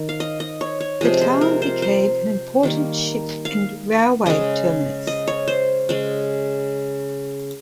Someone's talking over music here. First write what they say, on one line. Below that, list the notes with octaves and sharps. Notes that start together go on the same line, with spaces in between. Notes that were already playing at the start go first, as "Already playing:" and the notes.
The town became an important ship and railway terminus.
Already playing: D#3
F5
D#5
D#5
C#5
C#5
C3 F3 G#3 D#5
C5
A#4
C5
C5
D#3 G3 A#3
F5
C#3 G#3 D#5
D#5
C#5
C5
C#3 G#3